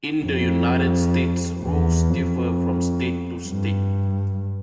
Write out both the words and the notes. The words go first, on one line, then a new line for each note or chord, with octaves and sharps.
In the United States rules differ from state to state.
F2
E2
F2
G2